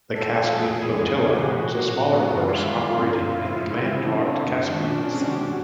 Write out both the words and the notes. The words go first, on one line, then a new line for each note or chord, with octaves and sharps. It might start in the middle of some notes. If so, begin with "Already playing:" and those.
The Caspian Flotilla was a smaller force operating in the land-locked Caspian Sea.
A#2 A4
F3 G#3
E2 G#4
C#3 F3 G#3 B3
F#2
C#3 E3 G#3
G4
B2 F#4
F#3 A#3
A2
E3 G#3 B3
F#2 F#4
F4
E4
D#3 G#3 B3 F4
G2
D3 F3 G#3 C4
F#2 F4
E4
C#3 F3
F4
C#3 E4
E3 G#3 C4
C#3 D4
F3 A3 C4
F#2
D#3 G#3
C#4
C3 D4
C#4
E3 G#3 C4
F#4
G#2 G4
F#4